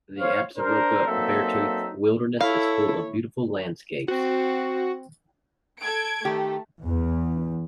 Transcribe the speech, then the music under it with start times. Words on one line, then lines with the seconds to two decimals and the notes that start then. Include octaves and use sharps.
The Absaroka-Beartooth Wilderness is full of beautiful landscapes.
0.19 C5 C#5 F5
0.57 D4 A#4 C5
1.07 F#3 A#3 C4 D#4 A4 E5
2.41 E4 A4 C#5 F5
4.08 C4 F#4
5.80 A4 G#6 D7
6.25 D#3 A3 G4
6.83 E2